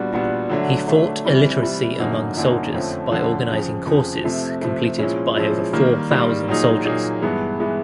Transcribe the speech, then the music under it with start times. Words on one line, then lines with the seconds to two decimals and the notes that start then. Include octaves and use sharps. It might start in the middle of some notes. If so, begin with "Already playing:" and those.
He fought illiteracy among soldiers by organizing courses completed by over four thousand soldiers.
Already playing: A#2 G3 B3 D4 F#4
0.13 A#2 G3 B3 D4 F#4
0.49 D3 F#3 A3 D4
0.87 D3 F#3 A3 D4
1.25 C3 E3 G3 C4
1.62 C3 E3 G3 C4
1.99 F#2 D3 F#3 A#3 D#4
2.37 F#2 D3 F#3 A#3 D#4
2.74 F2 D3 F3 A3 C#4
3.11 F2 D3 F3 A3 C#4
3.49 F2 C#3 F3
3.86 F2 C#3 F3
4.24 C3 F3 A3
4.62 C3 F3 A3
4.98 A#2 F3 G#3 C#4 E4
5.36 A#2 F3 G#3 C#4 E4
5.73 D#3 G3 A#3
6.10 D#3 G3 A#3
6.48 A#2 F#3 A#3 D#4 G#4
6.85 A#2 F#3 A#3 D#4 G#4
7.22 G2 E3 G#3 B3
7.60 E3 G#3 B3